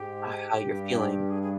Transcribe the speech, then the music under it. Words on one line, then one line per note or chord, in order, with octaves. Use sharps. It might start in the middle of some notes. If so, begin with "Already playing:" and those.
how you're feeling
Already playing: G#2 G4
G2
G#4
G#4